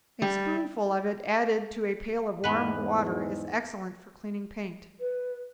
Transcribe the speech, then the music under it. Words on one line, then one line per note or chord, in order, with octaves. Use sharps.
A spoonful of it added to a pail of warm water is excellent for cleaning paint.
G3
E2 G#2 B3 B4
B4